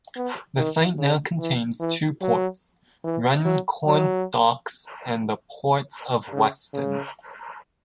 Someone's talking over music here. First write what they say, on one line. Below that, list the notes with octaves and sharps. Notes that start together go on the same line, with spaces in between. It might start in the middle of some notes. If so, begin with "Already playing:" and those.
The site now contains two ports, Runcorn Docks and the Port of Weston.
B3
D#3
C#3
E3
E3
F#3
E3
F#3
F#3
C#3
C#3